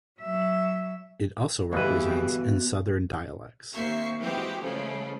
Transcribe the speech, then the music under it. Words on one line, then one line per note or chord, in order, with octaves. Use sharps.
It also represents in southern dialects.
F#3 E5
G1 B2 E3 G4 G#4 B4
D#2 A#3 C4 E5 C#6 C7
E3 G#3 C4 F#4 G4
C#3 E3 F3 G#3 A3 C#4